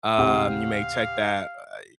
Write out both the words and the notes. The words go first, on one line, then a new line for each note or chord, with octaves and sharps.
um, you may check that, uh,
D#1 A2 C#3 C4 G4 F5 F#5